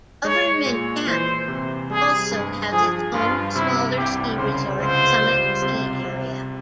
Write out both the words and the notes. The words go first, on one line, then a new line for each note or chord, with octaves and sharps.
Government Camp also has its own, smaller ski resort, Summit Ski Area.
G#3 C#5
A#2
E3 C5
C3
G3 G#4
G2
F3 G#4
G2 F4
C3 E4
C2 G4
C#3 C5
C#2 C5
G3
C3
C3